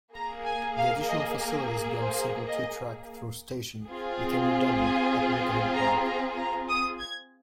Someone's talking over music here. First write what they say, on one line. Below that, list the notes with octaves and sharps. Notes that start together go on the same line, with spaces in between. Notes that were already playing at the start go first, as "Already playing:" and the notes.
The additional facilities beyond a simple two-track through station became redundant at Birkenhead Park.
A#3 G#4 A#5
G#5
F5
D#5
A#4
C5
D#5
C4 F4 G#4
G#5
A#5
A#5
A#5
D#6
G#6